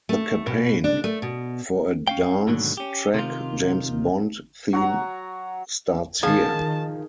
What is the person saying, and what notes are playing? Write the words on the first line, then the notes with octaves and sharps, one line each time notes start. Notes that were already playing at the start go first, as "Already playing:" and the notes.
The campaign for a dance track James Bond theme starts here!
A3
B2
D4
A3
B2
C#4 F5 G5
G#2 B2 D3 D#3 F#3
C#4 G4
C3 D#3 F4
F#3 F#4 A#5
D#3 F3 G#4 A5